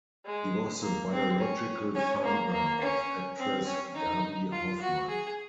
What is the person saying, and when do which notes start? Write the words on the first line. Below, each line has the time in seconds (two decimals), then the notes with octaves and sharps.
He was the biological father of actress Gaby Hoffmann.
0.25 G#3
0.82 A#3
1.11 C4
1.39 C#4
1.95 C#4
2.24 A#3
2.52 A#3
2.81 C#4
3.38 C4
3.66 C#4
3.95 D#4
4.52 F4
4.81 F#4
5.09 G#4